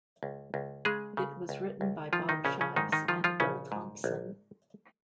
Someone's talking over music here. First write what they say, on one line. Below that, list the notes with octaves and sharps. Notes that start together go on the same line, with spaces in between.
It was written by Bob Shives and Bill Thompson.
C#2
C#2
C#3 G#3 G#4
C#3
C#2
C#2
D#3 F3 F4
D#3 D#4
A#1 C#3 C#4
C#3 C#4
G#2 D#3 D#4
D#3 D#4
D#3 F3 F4
F3 F4
A#1 C#3 C#4
G#2
A#1